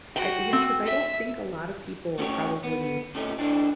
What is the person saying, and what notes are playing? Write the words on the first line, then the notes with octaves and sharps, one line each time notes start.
I you know, 'cause I don't think a lotta people probably
F#4 G5
C4
E5
A3 C#4 E4 F#4 G4 C#5
B3
C3 A3 C#4 D#4
D2 D3 E3 C4 D4 D#4